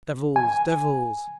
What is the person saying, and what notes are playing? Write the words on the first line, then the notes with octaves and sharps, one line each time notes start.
Devils! Devils!
G#5